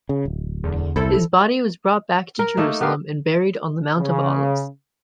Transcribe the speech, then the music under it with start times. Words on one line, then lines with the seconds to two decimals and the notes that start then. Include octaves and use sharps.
His body was brought back to Jerusalem and buried on the Mount of Olives.
0.09 C#3
0.25 D1
0.64 E2 D3
0.96 C2 E4 A4 C5
2.39 A#4
2.57 A3 A#3 D#4 A4
2.81 B3 G4 A#4 F5
3.99 C#3